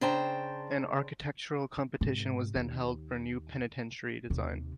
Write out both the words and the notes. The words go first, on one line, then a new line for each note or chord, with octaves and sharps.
An architectural competition was then held for a new penitentiary design.
C#3 D4 C5 G5 A5 A#5
G#2 C3
D#2
D#2 C3